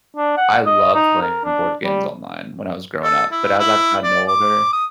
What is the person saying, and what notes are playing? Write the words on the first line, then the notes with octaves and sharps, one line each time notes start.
I loved playing board games online when I was growing up, but as I've gotten older
D4
F#5
D#5
D#4
A#4
D4
G3
A4
E4
E4
D5
D6
D#6